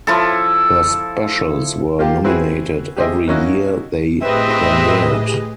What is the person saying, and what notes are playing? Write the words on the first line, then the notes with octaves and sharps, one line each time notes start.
Her specials were nominated every year they premiered.
F3 E4 A4
A#3 F4 G4
C4 E4 F#4 G#4 B4
G4 G#4 C5 D#5 E5
F#3 A#3 C#4 D#4 E4 F#4
A2 C4 G4 G#4 B4 D#5 E5